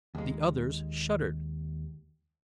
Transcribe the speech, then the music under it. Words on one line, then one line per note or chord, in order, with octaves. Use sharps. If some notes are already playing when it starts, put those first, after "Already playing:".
The others shuddered.
D#2 G#3